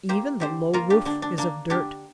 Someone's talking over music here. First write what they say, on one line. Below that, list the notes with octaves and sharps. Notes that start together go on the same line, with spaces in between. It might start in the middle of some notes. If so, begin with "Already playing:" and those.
Even the low roof is of dirt.
A#3 G4 C5
D3 G4 C5
A#3 F4 A#4
D4 G4
D3 D4
D4
A#3 D4
D3 D4 G4